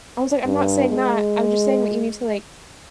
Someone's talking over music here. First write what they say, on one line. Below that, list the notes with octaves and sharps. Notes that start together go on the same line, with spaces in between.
I was like, "I'm not saying that, I'm just saying that you need to like
G2
G#3